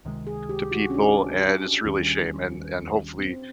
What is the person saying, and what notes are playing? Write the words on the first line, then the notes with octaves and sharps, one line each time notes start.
to people, and it's really a shame. And and, hopefully,
C#2 C3 D#3 G#3
G#4
G4
F#4
C#4
D4
D#2 D#3 G3 C#4
C4